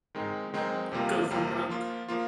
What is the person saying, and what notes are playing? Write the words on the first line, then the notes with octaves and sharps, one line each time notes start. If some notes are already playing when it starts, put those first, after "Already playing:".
Go for Broke!
D#3 G#3 C4 D#4
D#3 G#3 C4 D#4
F2 C3 G3 A#3 F4
F2 C3 G3 A#3 F4
F3 A#3 F4
F3 A#3 F4